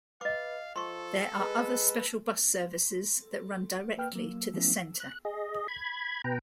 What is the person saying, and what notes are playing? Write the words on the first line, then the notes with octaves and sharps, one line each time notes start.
There are other special bus services that run directly to the Centre.
B4 D#5 F5 D6
F3 A4 C6 C#6
G#3 B4
A#3 B4 G5 F6
F#3 A#3
F3 F#3 A3 B3 C#4 E4
F#6
G#4 D#5
B5 G#6
B2 B4 G5 A#5